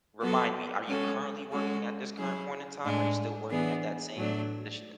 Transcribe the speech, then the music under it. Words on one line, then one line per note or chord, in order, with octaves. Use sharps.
remind me, are you currently working at this current point in time? Are you still working at that same position tha
F#3 B3 F#4 A4
G#3 C#4 F#4 A4
G#3 C#4 F#4 A4
F#3 C#4 E4 G#4
A2 G#3 D4
E3 B3 D4 G#4
A2 F#3 A3 D4